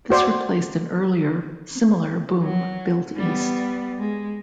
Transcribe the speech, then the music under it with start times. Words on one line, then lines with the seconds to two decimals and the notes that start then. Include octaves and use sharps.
This replaced an earlier, similar boom built east.
0.10 F#4 C5 D5
2.42 F#3
3.17 G3 B3
3.98 G#3